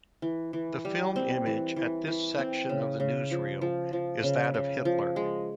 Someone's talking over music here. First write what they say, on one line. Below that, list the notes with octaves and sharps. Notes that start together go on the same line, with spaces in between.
The film image at this section of the newsreel is that of Hitler.
E3
E3
G3
C4
E3
E3
E3
C4
C#3
C#3
F3
F3
F3
C#3
C#3
F3
G#3